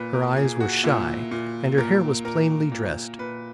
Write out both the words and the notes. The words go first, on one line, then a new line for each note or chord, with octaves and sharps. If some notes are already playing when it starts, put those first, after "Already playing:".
Her eyes were shy, and her hair was plainly dressed.
Already playing: A#2 B4
A#4
A#2 G#4
F#4
A#2 E4
A#2
A#2 A#4
A#2 A#4
A#2
A#2 B4